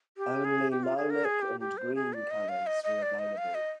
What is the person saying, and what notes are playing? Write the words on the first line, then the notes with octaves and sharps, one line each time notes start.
Only lilac and green colors were available.
G4
G#4
G4
F4
G#4
A#4
G#4
G4
G4
C5
G#4
D5
D#5
F5
D#5
D#5
D5
D#5
F5
D#5